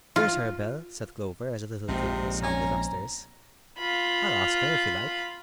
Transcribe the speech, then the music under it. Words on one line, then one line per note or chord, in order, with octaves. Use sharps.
"There's her bell!" said Clover, as a little tinkle sounded up stairs; "I'll ask her, if you like."
F4
A#1 C3 F3 G#3 C4 D#4
C#4 A#5
F4 B5